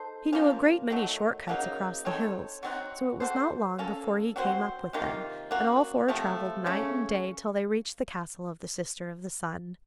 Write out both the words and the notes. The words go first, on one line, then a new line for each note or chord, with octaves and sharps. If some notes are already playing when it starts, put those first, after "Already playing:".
He knew a great many short cuts across the hills, so it was not long before he came up with them, and all four travelled night and day till they reached the castle of the Sister of the Sun.
Already playing: D#4 A4 C5
F3 A#3 C#4
D#3 F#3 A3
C#3 F#3 A#3 D#4
C4 D#4 A4 C#5
F#3 C4 D#4 F#4
C4 F#4 A4 C5
A#3 C#4 A4
F#3 C4 F#4 C5
C3 D#3 A#3 F4
A#3 C#4 F#4
C3 F3 A3
C#3 A3 C#4